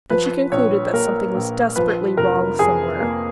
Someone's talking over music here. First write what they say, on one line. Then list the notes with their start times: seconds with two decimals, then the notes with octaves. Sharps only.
Then she concluded that something was desperately wrong somewhere.
0.10 F3 B4
0.52 A#1 C#5
0.93 A#2 A#4
1.34 A#1
1.76 F3 B4
2.17 F1 A#4
2.59 F2 G#4
3.01 A#3